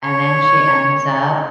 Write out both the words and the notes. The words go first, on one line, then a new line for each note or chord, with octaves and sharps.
and then she ends up
C#5